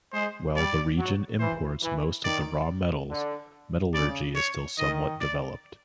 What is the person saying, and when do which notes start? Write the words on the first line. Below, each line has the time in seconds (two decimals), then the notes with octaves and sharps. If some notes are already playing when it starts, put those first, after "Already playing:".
While the region imports most of the raw metals, metallurgy is still somewhat developed.
0.13 G#3 C5
0.56 G3 D5
0.98 F#3
1.39 E3 C5
1.82 E3
2.24 D#3 D5
3.09 D3
3.94 C#3 D5
4.36 C#5
4.78 D#3 D#5
5.21 D5